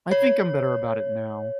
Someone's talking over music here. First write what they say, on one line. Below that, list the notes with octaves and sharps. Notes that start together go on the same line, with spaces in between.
I think I'm better about it now.
C#5